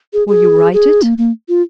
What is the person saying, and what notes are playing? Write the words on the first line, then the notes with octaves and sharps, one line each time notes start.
"Will you write it?"
G#4
G#4
G#4
A#3
A#3
F4